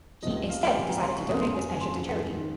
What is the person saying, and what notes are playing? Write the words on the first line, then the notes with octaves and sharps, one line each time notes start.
He instead decided to donate this pension to charity.
C#2 C3 F3 D#5
D#5
F5
G5
C#2 C3 F3 G#5
A#5
C6
C#6
F1 F2 C#3 D#6
C6
G#5
G#5
F1 F2 C#3 C6
D#3